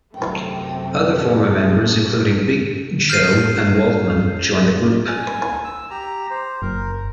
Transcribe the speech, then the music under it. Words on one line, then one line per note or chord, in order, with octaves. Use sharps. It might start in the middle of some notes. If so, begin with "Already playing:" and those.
Other former members, including Big Show and Waltman, joined the group.
F#2 C3 A3 G5
G#4
F6 G6 C7 D#7
G#5
E6
G4 A#5
C5
F#1 A#4